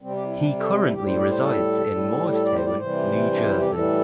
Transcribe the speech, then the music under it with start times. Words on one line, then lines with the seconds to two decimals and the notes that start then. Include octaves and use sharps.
He currently resides in Moorestown, New Jersey.
0.01 C3 G3 C4
0.13 G4
0.24 E4
0.36 D4
0.59 A4
0.70 C4
0.82 E4
0.93 A2 G3 G4
1.06 C5
1.16 D5
1.29 C5
1.40 A4
1.86 A2 G3
2.32 A4
2.44 D5
2.55 C5
2.66 D5
2.78 C3 E3 G3 C5
3.32 D4
3.45 E4
3.58 G4
3.70 A2 E3 G3 A4